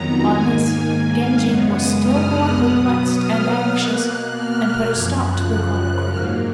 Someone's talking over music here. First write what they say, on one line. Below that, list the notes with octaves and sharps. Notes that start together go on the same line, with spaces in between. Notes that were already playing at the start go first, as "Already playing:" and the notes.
On this, Genji was still more perplexed and anxious, and put a stop to the colloquy.
Already playing: F2 D#3 F#3 B3 A#5
G#2 D#3 A#3 G#5
F5
F#2 C#3 G#3 B3 F#5
D#6
F6
F#6
B2 F#3 B3 D#6
F6
B2 A#3 F#6
F6
F#2 C#3 F3 G#6
F#6
F#6
G#2 F#3 A#3 F6